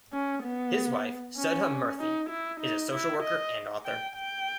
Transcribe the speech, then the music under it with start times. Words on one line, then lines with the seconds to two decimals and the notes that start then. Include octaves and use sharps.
His wife, Sudha Murthy, is a social worker and author.
0.13 C#4
0.43 B3
1.37 C#4
1.99 D#4
2.30 E4
2.61 D#4
2.92 E4
3.23 D#5
3.85 G5
4.16 G5